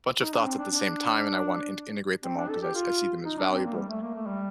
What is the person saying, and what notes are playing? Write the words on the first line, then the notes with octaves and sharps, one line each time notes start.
bunch of thoughts at the same time, and I want to inte integrate them all because I I see them as valuable.
D#4
D4
C4
D4
D4
C4
D4
A4
G4
F4
D#4
D4
C4
A#3
G3
A3
A#3
A3
G3